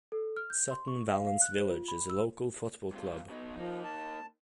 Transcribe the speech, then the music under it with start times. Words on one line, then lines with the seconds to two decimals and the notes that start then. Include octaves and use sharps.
Sutton Valence Village is a local football club.
0.12 A4
0.36 F6
0.50 G6
0.71 C6
0.88 C#6
1.10 F5
1.27 F5
1.41 F#6
1.58 C5
1.70 F4
1.88 B5
2.10 E6
2.92 G2 F4
3.29 B2 D#4
3.56 F3 A#3 D#4
3.84 A5